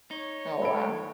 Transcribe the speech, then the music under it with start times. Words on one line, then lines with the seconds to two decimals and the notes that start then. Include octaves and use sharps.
Oh, wow.
0.11 D#4 C#5
0.62 A4 B5 D7